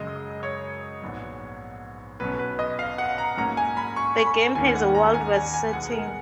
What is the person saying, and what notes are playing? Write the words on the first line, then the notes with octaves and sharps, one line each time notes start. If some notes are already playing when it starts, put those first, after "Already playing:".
The game has a Wild West setting.
Already playing: F#2 C#3 G#3 D#5
C#5
A#1 G#2 F#3 B3
B1 B2 F#3 C#4 B4
B4
D#5
F5
F#5
A#5
G#2 F#3 A#3 C#4 A#5
G#5
B5
C#6
C#6
B5
D#2 D#3 A#3 C#4 G#5
F#5
A#5
G#5
G#5
G#5
B1 B2 G#3 B3 F#5
A#4